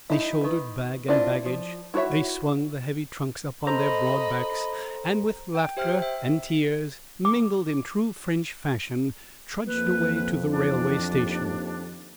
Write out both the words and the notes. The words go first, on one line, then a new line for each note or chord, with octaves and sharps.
They shouldered bag and baggage; they swung the heavy trunks up on their broad backs, and with laughter and tears mingled in true French fashion, trudged away to the railway station.
D#4 E4
D#3 B4
C4 D4 E4 F4 D5
F3
E4 F#4 A4 C#5 E5
A4 C5 D#5 A#5 B5
G5
G4 C5 E5 G5 F6
E5
D6
F2 A#3 B4
E3 D4
D#2